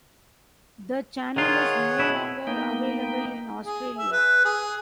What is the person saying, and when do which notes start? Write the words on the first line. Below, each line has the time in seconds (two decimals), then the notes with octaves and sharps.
The channel is no longer available in Australia.
1.36 D#3 F4 G#4 C#5 F#5
1.99 B2 E4
2.47 A#3 B3 D#4 G5
3.64 G#4
3.98 E5
4.12 B4
4.45 G#4